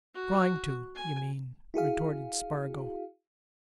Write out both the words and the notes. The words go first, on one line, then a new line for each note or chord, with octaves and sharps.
"Trying to, you mean," retorted Spargo.
F#4
G#5
E4 F#4 G#4 F5